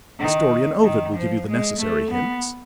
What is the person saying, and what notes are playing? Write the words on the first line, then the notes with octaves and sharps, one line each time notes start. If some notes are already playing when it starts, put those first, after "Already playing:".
A story in Ovid will give you the necessary hints.
D#3
D#3
F3
G#3
A3
B3